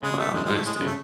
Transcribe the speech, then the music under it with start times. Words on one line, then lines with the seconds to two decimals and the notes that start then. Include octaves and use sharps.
Wow. Nice, dude.
0.03 C#3 G#3
0.18 A3
0.34 F#2 G#3
0.45 G#3
0.50 G#2
0.55 A3
0.65 A2 G#3
0.76 G#3
0.81 C#3
0.86 A3